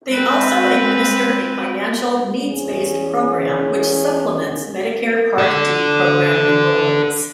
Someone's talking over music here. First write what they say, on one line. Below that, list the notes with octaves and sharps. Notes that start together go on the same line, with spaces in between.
They also administer a financial needs-based program which supplements Medicare Part D program enrollees.
G#3 C4 B4
E2 C#4 G#4
A4 D5